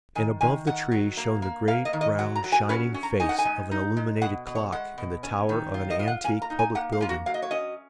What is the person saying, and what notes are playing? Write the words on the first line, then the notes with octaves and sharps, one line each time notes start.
And above the trees shone the great, round, shining face of an illuminated clock in the tower of an antique public building.
D#3 G#5
D#3 G#5
D#3 F#5
F#3
A#3
A#3
A#3 F5
D#5
D#3
D#5
F#3 F#5
A#5
F#3
G#5
C#4 B4
C#4
A#5
D#4 G#5
F#5
G#5
G#3
D#4
G#3
B2 F#5
B2
C#5
G#3 F#5
B2
C#4
D#3
F4
D#5
F4
F#5
A#3 G#5
A#5
D#4
G#5
A#3 F#5
F5
A#3 F4
F#4
F#3 F5
D#5
C#5
C#4 D#5